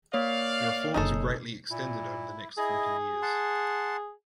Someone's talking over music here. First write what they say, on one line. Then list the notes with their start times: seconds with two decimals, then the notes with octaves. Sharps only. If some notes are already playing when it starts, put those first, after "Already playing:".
The reforms were greatly extended over the next forty years.
0.13 A#3 C#5 D5 F5
0.94 F#1 F#2 D#4 G#4 A4
1.70 A#2 E4
2.58 E4 G#4 D#5
3.22 F#5 A5 C6